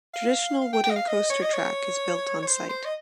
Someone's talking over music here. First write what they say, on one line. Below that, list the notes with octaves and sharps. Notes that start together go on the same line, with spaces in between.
Traditional wooden coaster track is built on site.
F5
F5
G5
G5
D#5
F5
D#5
C#5
D#5
C#5
C#5
C5
C5
D#5